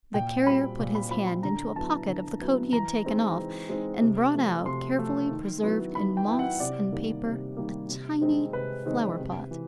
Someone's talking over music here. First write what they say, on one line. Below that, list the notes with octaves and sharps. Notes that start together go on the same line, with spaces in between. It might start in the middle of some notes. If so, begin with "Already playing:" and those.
The Carrier put his hand into a pocket of the coat he had taken off; and brought out, carefully preserved in moss and paper, a tiny flower-pot.
A#2 G5
G3 C4 F4 B5
A#2
B5
G3 C4 F4 B5
B5
D3 A#5
F#3 B3 E4 A5
D3
F#3 B3 E4
E3 A#5
G#3 C4 D#4
E3
G#3 C4 D#4
C3
F3 A3
C3 C6
F3 A3
D#3
F#3 B3 E4
D#3 B5
G5
F#3 B3 E4 G5
F#5
C3 D5
D#3 G3 A#3
C3
D#3 G3 A#3
C3
D#3 G#3 C4 D#4
C3 B4
D#3 G#3 C4 D#4
C3
E3